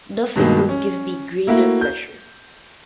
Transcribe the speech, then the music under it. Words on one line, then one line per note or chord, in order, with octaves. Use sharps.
Nothing would give me greater pleasure.
G2 B2 D#3 G#3 A#3
C#4
A3 A#3 E4 F#4
G6